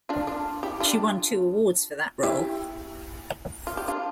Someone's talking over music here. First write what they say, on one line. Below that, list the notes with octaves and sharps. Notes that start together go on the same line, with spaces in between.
She won two awards for that role.
D4 F4
D4 F4
E4 G4
D4 F4
E4 G4
F4
G4
D4 F4